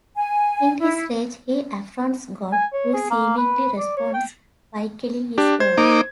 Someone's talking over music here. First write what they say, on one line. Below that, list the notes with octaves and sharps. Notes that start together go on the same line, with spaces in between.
In his rage he affronts God who seemingly responds by killing his dog.
G#5
E4
G#5
C#5
G#4
A#3
B4
D5
C#5
G5
D4 G4
C5 G#6
A#3 D#4 D6